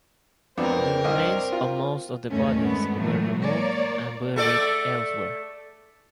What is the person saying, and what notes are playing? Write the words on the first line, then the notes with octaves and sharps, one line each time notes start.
The remains of most of the bodies were removed and buried elsewhere.
F2 B3 C4 D4 A#4
C2 D4 D#5
F4
E2 G2 D#3 A3 C#4
G#3 A3 B3
A2 E3 F#3 G#3 A3
A#3 C#5 D5
A3 A4 D5